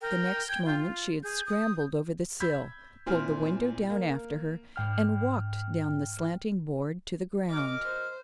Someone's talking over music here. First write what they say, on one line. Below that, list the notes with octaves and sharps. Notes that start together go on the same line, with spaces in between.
The next moment she had scrambled over the sill, pulled the window down after her, and walked down the slanting board to the ground.
A#4 G5
G#6
F4
G#4 G6
D#6
B5 E6 G6 G#6 B6
A#2 C4 E4 G#5 F6
A#3
G#2 G5 F6
F#2 D#5 D6 F6
C5